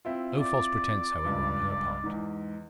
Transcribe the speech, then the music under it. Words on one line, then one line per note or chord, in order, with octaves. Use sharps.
No false pretence, however, on her part.
C4 E4 F4
D5
C#2 G2
E2 G#2